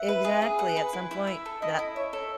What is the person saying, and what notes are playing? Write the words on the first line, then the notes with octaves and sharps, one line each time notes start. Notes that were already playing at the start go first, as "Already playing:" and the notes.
exactly, at some point that
Already playing: E5 F#5
B4
G#4
G#4
F#5
B4
E4
E4
E5
A4
E4 D#5
E4
C#5 E5
A4